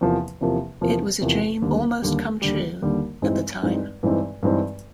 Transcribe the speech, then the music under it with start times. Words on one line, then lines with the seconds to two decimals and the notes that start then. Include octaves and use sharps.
It was a dream almost come true at the time.
0.01 E2 C3 F3 A#3
0.41 E2 C3 F3 A#3
0.81 E2 C3 F3 A#3
1.22 E2 C3 F3 A#3
1.62 D#2 D3 G3
2.02 D#2 D3 G3
2.42 D#2 D3 G3
2.82 D#2 D3 G3
3.22 G2 E3 G#3 C4 D#4
3.63 G2 E3 G#3 C4 D#4
4.03 G2 E3 G#3 C4 D#4
4.43 G2 E3 G#3 C4 D#4